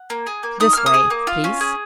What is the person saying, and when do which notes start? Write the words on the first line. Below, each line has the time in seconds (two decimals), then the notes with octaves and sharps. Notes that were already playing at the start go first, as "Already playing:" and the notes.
"This way, please."
Already playing: F#5
0.10 A#3
0.27 G#4
0.43 A#3
0.60 D#4 D#6
0.73 A#3 F6
0.86 D#6
0.94 G#4
1.10 A#3
1.27 F4
1.44 C#4
1.61 G#4